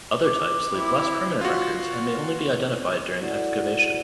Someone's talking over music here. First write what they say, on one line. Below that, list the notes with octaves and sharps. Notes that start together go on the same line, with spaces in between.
Other types leave less permanent records and may only be identified during excavation.
D6
C4 E4
F4 F#4
E4 F#4 A4 C#5 D5 F#5